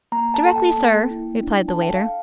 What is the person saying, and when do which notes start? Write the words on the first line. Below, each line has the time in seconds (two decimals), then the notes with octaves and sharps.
'Directly, sir,' replied the waiter.
0.12 A#3 A#5
0.34 A5
0.45 A4 A5
0.56 G5
0.78 A#3
1.10 E4
1.43 D4
1.68 A5
1.76 A4
1.82 G5
1.95 F5